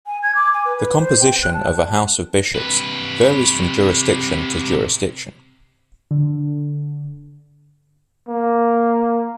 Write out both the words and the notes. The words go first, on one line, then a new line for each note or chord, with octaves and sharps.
The composition of a House of Bishops varies from jurisdiction to jurisdiction.
G#5
G#6
D6
G#5
B4
B4
C5
G5
F#6
A5
C3 B4
D3
A#3